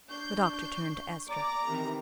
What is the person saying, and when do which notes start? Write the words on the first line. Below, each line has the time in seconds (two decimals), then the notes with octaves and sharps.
The doctor turned to Estra.
0.10 D4 C#6 G6 C7
1.28 D5 A#5 D6
1.69 C3 D#3 E3